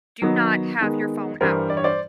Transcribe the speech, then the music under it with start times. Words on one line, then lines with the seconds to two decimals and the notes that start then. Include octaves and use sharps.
do not have your phone out."
0.21 D#3 F#3 B3 D#4
0.81 D#3 G#3 B3 D#4
1.41 G2 E3 G3 A#4 C5
1.70 D5
1.77 C#5
1.84 C5 D5